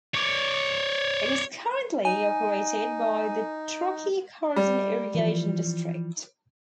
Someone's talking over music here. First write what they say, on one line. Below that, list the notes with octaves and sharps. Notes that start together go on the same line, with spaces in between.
It is currently operated by the Truckee-Carson Irrigation District.
C#5 D5
D#4 G#5
G3
E3 F3